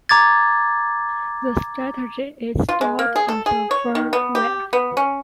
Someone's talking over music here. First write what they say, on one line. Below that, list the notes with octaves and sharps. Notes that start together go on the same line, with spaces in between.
The strategy is stored in the firmware.
A#5 D6 G#6 A6
F4
G#3
A#3
G#4
A4
G#4
C#5
D#3
B3
G4
B3
C#4